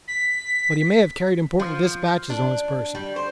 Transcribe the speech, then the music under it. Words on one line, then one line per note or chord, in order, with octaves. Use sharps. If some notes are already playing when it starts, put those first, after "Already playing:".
But he may have carried important dispatches on his person.
B6
F3
D4
G3
C5